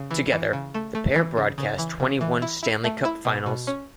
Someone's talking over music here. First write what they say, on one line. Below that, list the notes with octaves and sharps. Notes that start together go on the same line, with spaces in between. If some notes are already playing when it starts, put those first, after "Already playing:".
Together, the pair broadcast twenty-one Stanley Cup Finals.
Already playing: C#3
E3
E3
C#3
A3
A3
E3
C#3
C#3
E3
C#3
E3
E4
E4
A3
E4
B2
B2
C#4